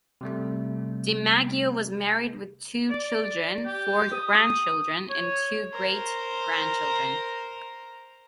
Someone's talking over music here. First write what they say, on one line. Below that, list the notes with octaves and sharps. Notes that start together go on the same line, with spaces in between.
DiMaggio was married with two children, four grandchildren and two great-grandchildren.
C3 G3 A3
D5
G4
D#6
C#5
A#4 C5